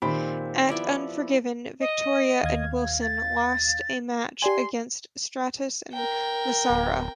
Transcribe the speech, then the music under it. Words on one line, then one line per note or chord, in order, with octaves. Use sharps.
At Unforgiven, Victoria and Wilson lost a match against Stratus and Massaro.
A#2 D#3 C4 G4 C5 B5
F3 B3 E4 D5 D6
D#5
D#2 F5 G#6
A6
G4 D5 G#5 C6
A#4 G5
D1